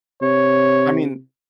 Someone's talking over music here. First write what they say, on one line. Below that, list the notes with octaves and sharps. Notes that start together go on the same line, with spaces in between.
I mean
C3 C#5